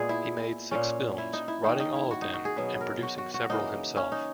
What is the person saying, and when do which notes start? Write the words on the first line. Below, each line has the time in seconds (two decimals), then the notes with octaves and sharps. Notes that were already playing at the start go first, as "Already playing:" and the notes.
He made six films, writing all of them and producing several himself.
Already playing: A#2 G#3 B3 G#4
0.09 E4
0.71 A#2 A#3 C#4
1.18 E4
1.33 D#4
1.48 E4
1.63 D#3 A#3 C#4 D#4
1.80 D#4
1.96 E4
2.11 F#4
2.22 D#4
2.34 F#4
2.45 G#4
2.56 B2 F#3 B3 B4
2.81 A#4
3.03 F#4
3.18 F#4
3.34 F#4
3.49 C#3 E3 A#3 D#4
3.96 C#4
4.12 D#4